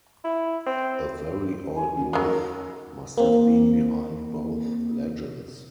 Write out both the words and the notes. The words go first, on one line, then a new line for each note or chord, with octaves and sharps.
A very old myth must have been behind both legends.
E4
C4
G#5
C#4 D#4 F#4
F#3 G#3 A#4
A#3 C4